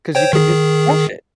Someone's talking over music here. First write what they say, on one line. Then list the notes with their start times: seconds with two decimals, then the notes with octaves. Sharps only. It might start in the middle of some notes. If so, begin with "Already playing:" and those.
'Cause you can just wash it.
0.15 C5 C#5 G5
0.33 D#3 G#4